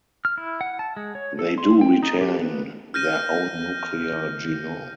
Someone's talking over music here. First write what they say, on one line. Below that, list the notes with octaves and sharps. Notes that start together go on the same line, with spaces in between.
They do retain their own nuclear genome.
F6
E4
F#5
A5
G#3
C#5
A4
C6
G5
D#4
G4
B4
F6 G6 A#6 D#7